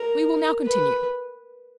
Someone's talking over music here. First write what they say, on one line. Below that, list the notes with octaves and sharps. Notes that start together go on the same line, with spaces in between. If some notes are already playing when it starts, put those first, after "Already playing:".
We will now continue.
Already playing: A#4
B4